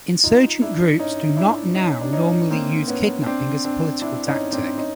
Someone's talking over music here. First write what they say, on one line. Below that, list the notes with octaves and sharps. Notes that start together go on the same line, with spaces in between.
Insurgent groups do not now normally use kidnapping as a political tactic.
D#4 F4
D4 E4
C#4 D#4
D4 E4
C#4 D#4
D4
C#4 D#4
A#3 C4
B3 C#4
C4 D4
C4 D4
D4 E4
C#4 D#4
C4 D4
C#4 D#4